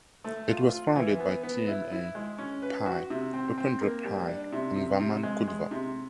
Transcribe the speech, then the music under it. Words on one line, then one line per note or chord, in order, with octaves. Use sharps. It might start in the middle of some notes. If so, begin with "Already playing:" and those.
It was founded by T M A Pai, Upendra Pai and Vaman Kudva.
A3
F4
F4
E3
B3
B3
E4
E4
G#3
C#4
B4
F#4
C3
C4
C4
A#3
G3
D4
C3
C3
C3
G#3
G#3
C3